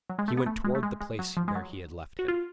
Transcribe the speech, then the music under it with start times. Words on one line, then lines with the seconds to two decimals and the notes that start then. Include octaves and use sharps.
He went toward the place where he had left him.
0.10 F#3
0.19 G#3
0.28 A3
0.37 B3
0.46 A3
0.64 G#3
0.75 A3
0.83 G#3
1.01 G#3
1.19 F#3
1.37 F3
1.48 G#3
1.55 F#3
2.19 F#4
2.28 F4